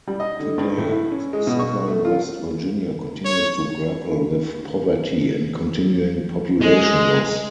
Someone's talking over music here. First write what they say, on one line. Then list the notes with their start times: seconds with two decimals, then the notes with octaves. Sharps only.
Today, Southern West Virginia continues to grapple with poverty and continuing population loss.
0.08 G3
0.20 D#5
0.40 D3
0.58 G2
0.78 A2
0.92 E4
1.12 C#4
1.33 G#3
1.47 B2
1.59 C#6
1.88 A3
2.05 F4
3.25 C#5
6.61 G#3